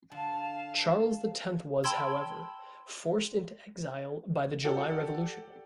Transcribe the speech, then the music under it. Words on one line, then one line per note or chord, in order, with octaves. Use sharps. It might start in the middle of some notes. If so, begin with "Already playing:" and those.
Charles the Tenth was, however, forced into exile by the July Revolution.
D3 F5 A5
G5 A5 B5 C6 E6 G#6
G4 A4 D5 F#5